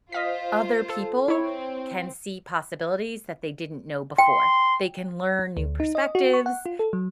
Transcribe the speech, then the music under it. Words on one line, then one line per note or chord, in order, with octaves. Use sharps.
Other people can see possibilities that they didn't know before. They can learn new perspectives,
F4 C5 D#5 F5 B6
A4
C4 E4 C#5
G5 C6
D2
D#4
D#5
F#4
C#6
F#5
F4
A4
F#3